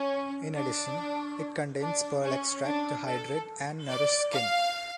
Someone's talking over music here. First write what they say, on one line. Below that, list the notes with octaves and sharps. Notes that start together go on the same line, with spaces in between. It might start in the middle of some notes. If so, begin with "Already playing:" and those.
In addition, it contains pearl extract to hydrate and nourish skin.
Already playing: C#4
D4
D4
C#4
D4
A4
D5
F5